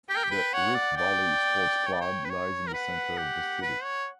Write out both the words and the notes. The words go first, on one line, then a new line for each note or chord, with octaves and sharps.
The Rift Valley Sports Club lies in the centre of the city.
G4 G5
A#4
G4
B4
C#5 F#5
D5
D5 G5
C#5
D5
C#5
B4
C#5
A#4
B4 F#5
G4
B4
C#5